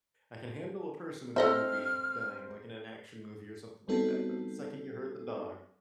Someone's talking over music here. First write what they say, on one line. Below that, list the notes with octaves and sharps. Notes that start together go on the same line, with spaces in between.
I can handle a person in a movie dying, like in an action movie or something like that, but the second you hurt the dog,
C4 A4 D#5 E5 F6
G3 B3 C4 D#4 F#4 A4